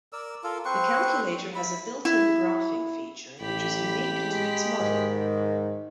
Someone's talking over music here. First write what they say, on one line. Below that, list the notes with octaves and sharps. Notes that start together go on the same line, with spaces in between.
The calculator has a built in graphing feature which is unique to its model.
A#4 D5 E6
F4 A4 A#4
C4 B4 C5 C#6
E4 B5
E4
A1 G4 B5
G#3
G#2 D#3